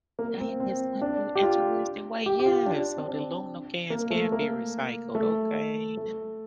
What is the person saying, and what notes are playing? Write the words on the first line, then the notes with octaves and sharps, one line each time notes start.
That is such a interesting way. Yes, so the aluminum cans can be recycled. Okay,
A#3
A#3
C4
C4
D4
G4
F4
G4
G4
F4
D4
C4
D4
A#3
A3
A#3
A3
A3